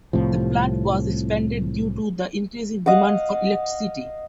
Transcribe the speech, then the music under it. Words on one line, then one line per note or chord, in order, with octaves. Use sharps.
The plant was expanded due to the increasing demand for electricity.
C2 A2 C3 F3
D#5 F5 F#5